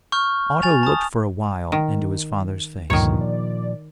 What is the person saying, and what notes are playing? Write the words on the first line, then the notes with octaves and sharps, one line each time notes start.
Otto looked for a while into his father's face.
C#6 F6 G6
G#5 A6 F7
A5 D#6
D#3
D2 G2 A#2 D#3 F3 C#5 A#5
D5